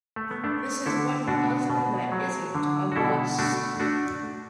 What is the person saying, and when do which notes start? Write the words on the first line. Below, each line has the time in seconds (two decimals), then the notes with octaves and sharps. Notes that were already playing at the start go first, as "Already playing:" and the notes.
This is one puzzler that isn't a bust.
0.16 A3
0.31 B3
0.44 A3 D4
0.86 D3 E4 A4
1.28 B2 D4 F#4
1.70 B2
2.12 F#3
2.55 D3
2.92 F#4
2.96 B2 E4 A4
3.38 A3 D4 F#4
3.79 A3 D4 F#4